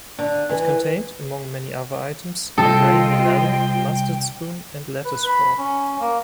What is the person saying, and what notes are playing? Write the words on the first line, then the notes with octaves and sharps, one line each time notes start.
It contained, among many other items, a gravy ladle, mustard spoon and lettuce fork.
D3
E3
C2 F4 A4 C5 D#5 G5
B4
B5
C#4
A#3